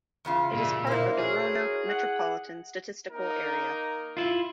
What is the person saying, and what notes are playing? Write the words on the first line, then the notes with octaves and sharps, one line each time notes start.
It is part of the Roanoke Metropolitan Statistical Area.
E2 C#3 F4
G2 A#2 G#3 E5
D3 A#3 E4 C5
C#4 F#4 G#4 A#4
F#5
A#3 D#4 A#4
E4 F4